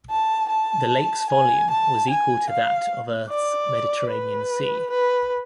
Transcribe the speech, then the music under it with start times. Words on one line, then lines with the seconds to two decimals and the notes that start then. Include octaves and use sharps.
The lakes's volume was equal to that of Earth's Mediterranean Sea.
0.10 A5
0.49 A5
1.30 G#5
1.70 A5
2.10 G#5
2.50 F5
3.30 D5
4.10 B4
4.90 B4